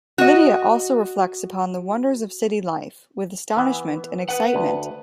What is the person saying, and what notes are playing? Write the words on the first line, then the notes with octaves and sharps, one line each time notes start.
Lydia also reflects upon the wonders of city life, with astonishment and excitement.
F#4 D#5
E3 B3 E5
B4 F#5
D2